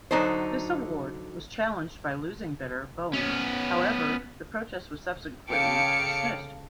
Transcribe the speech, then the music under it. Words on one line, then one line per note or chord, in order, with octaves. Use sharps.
This award was challenged by losing bidder Boeing; however, the protest was subsequently dismissed.
D3 F#3 D#4 A4 C5
B3 C#4
C#3 A4 F5 G5 D6 C#7